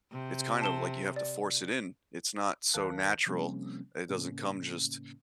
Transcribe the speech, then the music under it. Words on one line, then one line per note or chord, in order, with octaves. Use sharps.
it's kind of like you have to force it in, it's not so natural, it doesn't come just
C3
A5 E7 G7
D5
D#2 D#3 A#4 F5 A5 F#6
C3 F3 G3 A#3 C4 C#4
A2 C#3 A#3 C#4